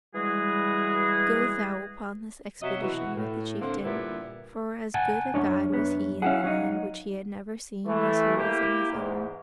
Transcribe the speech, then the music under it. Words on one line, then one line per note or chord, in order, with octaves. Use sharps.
"Go thou upon this expedition with the chieftain." For as good a guide was he in a land which he had never seen as he was in his own.
E3 G3 G#3 F#4 G#4
C3 F#3 D#5 E5
B2 E3 E4 F#4
A2
D3 A#3 C4
G2 A#2 D3 B3 E4 G4
F#5 G#5 A5
B1 F#2 D4 C#5
F#2 B3
C#4 E4 G#4 F5 F#5
F#3 D#4
E3 A3
A#3 E4 G4
E2 G#2